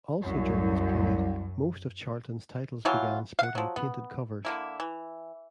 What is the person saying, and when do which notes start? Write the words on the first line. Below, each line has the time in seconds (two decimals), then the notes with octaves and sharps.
Also during this period, most of Charlton's titles began sporting painted covers.
0.21 C2 F#2
2.85 B2 E3 F#3 F4
3.39 F5 F#5
3.55 F3 F#3
3.76 B3
4.45 D3 A#3 E4
4.80 E3